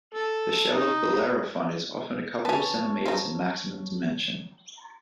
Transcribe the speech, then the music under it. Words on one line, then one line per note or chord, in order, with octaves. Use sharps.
The shell of "Bellerophon" is often a couple of centimeters in maximum dimension.
A4
D#4
B3 C#4 C#5 A5
F3 D#4